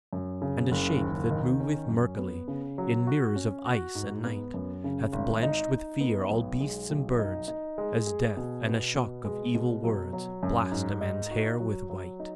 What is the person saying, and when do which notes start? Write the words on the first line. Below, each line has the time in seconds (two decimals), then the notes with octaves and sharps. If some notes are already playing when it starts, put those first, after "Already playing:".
And a Shape that moveth murkily In mirrors of ice and night, Hath blanched with fear all beasts and birds, As death and a shock of evil words Blast a man's hair with white.
0.13 F#2
0.42 C#3
0.72 F#1
1.00 D#2
1.30 D#3
1.60 C#4
1.89 F#2
2.19 B3
2.48 C#3
2.78 F#3
3.07 F#4
3.36 C#4
3.66 F#4
3.95 G#2
4.25 B3
4.54 F#2
4.84 C#3
5.12 G#1
5.43 D#4
5.71 D#4
6.01 B3
6.31 B1
6.60 G#3
6.90 B1
7.19 D#4
7.48 D#4
7.78 G#3
8.07 G#4
8.37 B2
8.66 B3
8.95 B2
9.25 G#3
9.55 B2
9.84 F#3
10.13 F#3
10.43 F#2
10.72 G#2
11.01 D#4
11.31 F#4
11.60 F#3
11.90 F#3
12.20 D#4